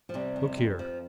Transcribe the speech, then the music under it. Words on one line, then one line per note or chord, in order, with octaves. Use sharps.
Look here!
F3
C3 G3
F2
F2
F3